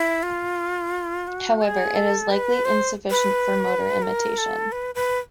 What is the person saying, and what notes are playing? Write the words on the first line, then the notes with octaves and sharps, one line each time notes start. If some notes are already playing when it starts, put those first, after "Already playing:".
However, it is likely insufficient for motor imitation.
Already playing: E4
F4
F#4
A4
G#4
A4
B4
C5
B4
A#4
A4
B4
B4